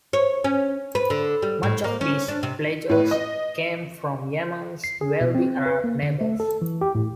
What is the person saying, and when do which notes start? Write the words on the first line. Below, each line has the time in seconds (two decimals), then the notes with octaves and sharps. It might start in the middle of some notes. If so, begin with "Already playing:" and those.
Much of these pledges came from Yemen's wealthy Arab neighbors.
0.13 C#5
0.44 C#4
0.95 B4
1.10 D3
1.42 G3
1.63 A2
1.84 A#3
2.01 C#4
2.28 D4
2.43 C3
2.89 A2 B4
3.11 D#5
4.84 C7
5.01 G#4
5.21 B2
5.35 C4
5.66 B4
5.84 A#3
6.03 D3
6.21 A3
6.40 A4
6.62 E3
6.81 G4
6.95 A2